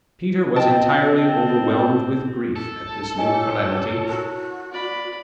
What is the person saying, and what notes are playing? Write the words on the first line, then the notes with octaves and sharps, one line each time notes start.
Peter was entirely overwhelmed with grief at this new calamity.
C4 D#5 G5 A5
A4
G4 A#4 C#5 D#5 G#5
E4 F#4 A#4 A5
D5 B5